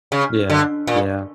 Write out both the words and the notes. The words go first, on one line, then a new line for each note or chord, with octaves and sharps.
Yeah, yeah.
C#3
D3
A#2